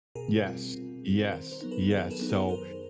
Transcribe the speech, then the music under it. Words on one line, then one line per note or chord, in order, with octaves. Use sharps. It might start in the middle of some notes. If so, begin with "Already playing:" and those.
yes, yes, yes, so,
B2 G#4 A#4
G3 C4 F4
B2
G3 C4 F4
D#3 A#4 C5
A#4 C5
F#3 B3 D#4
A4 B4
D#3 G#4 A#4
A4 B4
F#3 B3 D#4
G#4 A#4
F#2 A#4 C5